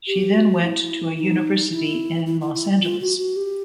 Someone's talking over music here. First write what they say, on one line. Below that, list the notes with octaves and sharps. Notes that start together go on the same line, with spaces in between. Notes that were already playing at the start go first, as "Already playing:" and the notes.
She then went to a university in Los Angeles.
G4
F#4
E4
E4
D#4
E4
E4
E4
E4
F4
F#4
F#4
G4